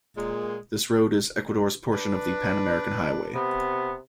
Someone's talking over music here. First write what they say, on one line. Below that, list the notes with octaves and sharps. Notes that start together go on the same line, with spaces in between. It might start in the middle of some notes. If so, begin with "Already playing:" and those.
This road is Ecuador's portion of the Pan-American Highway.
A#2 G#3
D4 B4
C3 B3